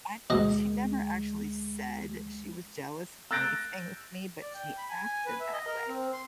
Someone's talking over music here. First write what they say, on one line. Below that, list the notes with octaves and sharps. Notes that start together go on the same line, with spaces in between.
uh, I thought she never actually said she was jealous of anything with me, but she acted that way.
D2 B2 G#3 D#5
E6 F#6 G6 A6 A#6 D7
D5
G5
B5
G#5
G#5
B4
E5
D#5
A#4
C4
C6